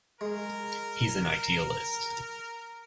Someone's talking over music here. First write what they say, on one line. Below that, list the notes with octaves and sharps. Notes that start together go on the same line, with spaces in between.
He's an idealist.
G#3 A#4